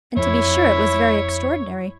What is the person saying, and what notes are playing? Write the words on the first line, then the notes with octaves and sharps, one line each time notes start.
And to be sure it was very extraordinary.
F2 E4 C#5